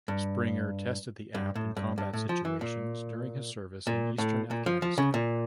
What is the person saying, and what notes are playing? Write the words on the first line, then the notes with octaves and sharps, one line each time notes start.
Springer tested the app in combat situations during his service in eastern Afghanistan.
G2
G2
A2
G2
G2
A2
F3
E3
A#2
A#2
A2
A#2
F3
F3
C#3
A#2